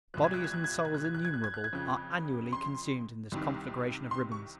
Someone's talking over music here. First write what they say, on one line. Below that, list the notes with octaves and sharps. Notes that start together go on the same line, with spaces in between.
Bodies and souls innumerable are annually consumed in this conflagration of ribbons.
C2 A#2 F3 F#6
G#6
F#6
G#6
F#6
G#6
F#6
G#6
F#6
G#6
F#6
G#6
F#6
G#6
F#6
G#6
F2 C#3 F3 F#6
C6
C2 C3 D#3
C6
C#6